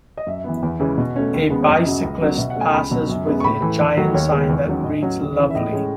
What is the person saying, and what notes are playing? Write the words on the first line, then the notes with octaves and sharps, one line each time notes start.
A bicyclist passes with a giant sign that reads lovely.
D#5
F#2 E5
E3 B3
E2
C#3 E3 G#3 C#4
B2
A3 C#4
D#2
C#3 G#3 B3
C#5
F#2 D#5
C#3 F#3
C#2
C#3 F#3 B3
B2 E5
F#5
A3 C#4
G#5
C#2 B5
B2 F#3 C#4
F#2
C#3 G#3 B3
C#6
A2 B5
E3 A3
E2
D#3 F#3 A3
D#2 C#5
D#3 G#3 B3
E2
D#3 F#3 C#4
A2 D#5
F#3 C#4
D#2
C#3 E3
E5
A2 D#5
G#3 C#4